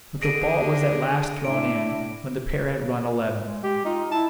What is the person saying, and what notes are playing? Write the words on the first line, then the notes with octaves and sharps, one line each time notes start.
But the ball was at last thrown in--when the pair had run eleven.
D3 D4 G#4 D#5 A#6 D7 D#7
A2 D4 E4 D7
G#3
G#3 G4
D#4 F4
E4 A5